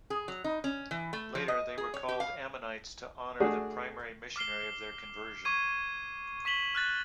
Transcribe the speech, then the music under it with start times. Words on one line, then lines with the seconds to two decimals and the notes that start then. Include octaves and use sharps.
Later, they were called Ammonites to honor the primary missionary of their conversion.
0.10 G#4
0.28 F#3
0.44 D#4
0.64 C#4
0.91 E3
1.13 A3
1.35 F3
1.48 D#5
1.78 G#4
1.94 C#5
2.08 G4
2.20 F5
3.40 A3 D4 F#4 G#4
4.36 D6 F6 C7 G7
5.45 C#6 D6 G#6 D#7
6.45 C#6 B6 E7 F#7 G7
6.75 F6 F#6 A6